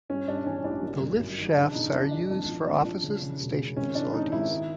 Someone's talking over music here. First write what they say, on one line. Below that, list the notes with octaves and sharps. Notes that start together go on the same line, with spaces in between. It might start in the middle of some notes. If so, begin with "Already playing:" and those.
The lift shafts are used for offices and station facilities.
G2 C#4
G2 D4
E3 C#4
A1 D4
F#2
G1
F#2
D#3
C#3 D4
F#1 D#4
E2 D4
E3 D4
G#1 D4
F3
G#1 D4
F3 D4
C#3
C#3
E1
C#3
G#1 C#4
E3 D4
G#1 D#4
G#1 E4
D#3